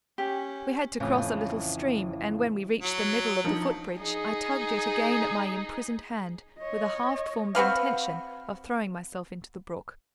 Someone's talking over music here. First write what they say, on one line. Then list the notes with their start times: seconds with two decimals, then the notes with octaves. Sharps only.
We had to cross a little stream, and when we reached the middle of the foot-bridge, I tugged yet again at my imprisoned hand, with a half-formed intention of throwing myself into the brook.
0.18 C#4 G4
1.00 F2 A2 C#3 E3
2.82 F#3
3.44 F3 D#4
3.99 D#4 G#4
6.59 C#5 D#5
7.55 C4 F#4 B4 F5